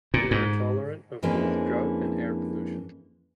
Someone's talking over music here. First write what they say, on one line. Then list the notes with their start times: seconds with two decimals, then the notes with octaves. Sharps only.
They are tolerant of both drought and air pollution.
0.14 A#2
0.31 G#2
1.23 F2 E3 G#3 A#3 C#4 D4